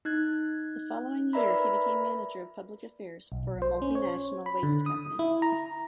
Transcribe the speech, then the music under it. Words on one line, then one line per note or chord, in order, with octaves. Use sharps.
The following year he became manager of public affairs for a multinational waste company.
D#4 F#6 G#6
A#4 B4 D5 E5 A#5 B5
B1
C5
C#4
C#5
B5
D3
D#6
E4
A#5